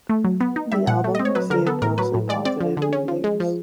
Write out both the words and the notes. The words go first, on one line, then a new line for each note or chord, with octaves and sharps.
The album received mostly positive reviews.
A3
F#3
B3
D#4
G3 E5
A#2 F#5
A3
D#5
C4
C#5
F#3 B4
D3 A#4
B3 A4
A2 A#4
F#3 B4
A2
G#3 D5
C4 D5
F3
D3
G#4
C#4
F3
G#3
F3